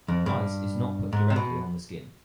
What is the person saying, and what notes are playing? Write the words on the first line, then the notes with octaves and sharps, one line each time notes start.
Ice is not put directly on the skin.
F2
G2
G#2
C3
B2